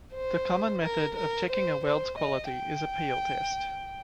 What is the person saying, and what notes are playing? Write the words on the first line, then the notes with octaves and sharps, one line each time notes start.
The common method of checking a weld's quality is a peel test.
C5
A#4
A#4
C5
C5
D#5
G5